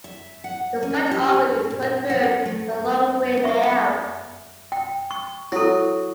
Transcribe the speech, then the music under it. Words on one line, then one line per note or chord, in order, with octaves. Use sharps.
The scratch awl is preferred for long grain layout.
E5
F#5
C#4
G4
G#4
A#2
F#5
A3
E5 C#6
G5
C#6
F#3 E4 A4